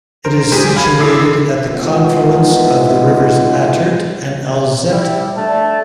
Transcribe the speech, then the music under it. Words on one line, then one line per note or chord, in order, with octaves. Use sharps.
It is situated at the confluence of the rivers Attert and Alzette.
A#4 C5
E2 G#3 G4 G#4 B6 D#7
F5 B5 G#6 D#7
A1 D3 E4 D6 C7
A2 E3 G#3 B3 D#4 F4
G3 E4
A3 D4 A5